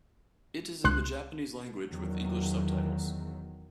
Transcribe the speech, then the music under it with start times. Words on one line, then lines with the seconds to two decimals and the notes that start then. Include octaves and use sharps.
It is in the Japanese language with English subtitles.
0.84 C#2 C6 F#6
1.88 E2 D#3 F#3